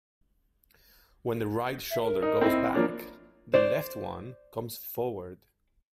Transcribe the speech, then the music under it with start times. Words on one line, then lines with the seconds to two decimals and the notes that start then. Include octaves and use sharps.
When the right shoulder goes back, the left one comes forward.
1.91 E5
2.02 A#4
2.22 D#4
2.41 C4 E4 D#5
2.74 F3 A#3 D4 C#5
3.54 C5 D5